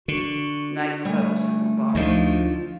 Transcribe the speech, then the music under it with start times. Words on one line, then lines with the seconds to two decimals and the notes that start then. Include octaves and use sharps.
nightclub or something or bar.
0.08 D3 F#4
1.05 G3 A3 G#5
1.95 D2 F3 D4 D#4 F4